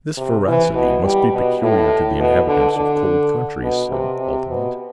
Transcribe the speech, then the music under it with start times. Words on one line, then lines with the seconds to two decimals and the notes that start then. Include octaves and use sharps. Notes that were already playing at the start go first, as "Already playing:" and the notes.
"This voracity must be peculiar to the inhabitants of cold countries," said Altamont.
0.17 C3
0.47 E3
0.75 B2
1.04 G3
1.33 B2
1.62 A2
2.20 B2
2.47 D3
2.76 D3
3.63 B2
3.91 C3
4.20 C3
4.49 B2